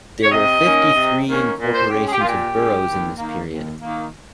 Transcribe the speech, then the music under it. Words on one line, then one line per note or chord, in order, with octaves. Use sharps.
There were fifty-three incorporations of boroughs in this period.
C#5
C3 D#5
D#3 A#3 C#4
C3
D#3 A#3 C#4
A#2
C5
G#3 C#4 G4
G#4
G4
A#2 F4
G4
G#3 C#4
D#2
D#3 A#3
D#2
D#3 A#3